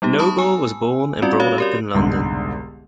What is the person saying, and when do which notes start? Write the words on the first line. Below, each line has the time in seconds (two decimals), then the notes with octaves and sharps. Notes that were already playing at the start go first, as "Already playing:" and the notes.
Noble was born and brought up in London.
0.02 G3 B3 D#4 G4
0.19 A5 B5 C#6 D#6
0.38 G#5 E6
1.22 G3 C4 C#4 F4 F#4 D5
1.40 F#4 C#5 F5
1.58 G4 A#4 D5
1.94 E1 C2 G#2 D3